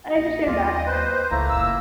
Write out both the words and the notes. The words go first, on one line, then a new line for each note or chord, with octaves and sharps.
I understand that.
A#1 D#5
D#2 F#3 F4 D5
B4 C5
C#2 A3 A#3 E4 A#5
F#1 A#2 C#3 E6